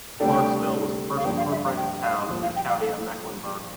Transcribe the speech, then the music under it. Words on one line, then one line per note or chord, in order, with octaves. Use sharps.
Clarksville was the first incorporated town in the county of Mecklenburg.
D2 C3 G3 D4 A4 G5
F5
G2 F3 A#3 D4 G5
F5
E5
F5
G5
F5
A#1 A#2 F3
F5
G5
F5
A4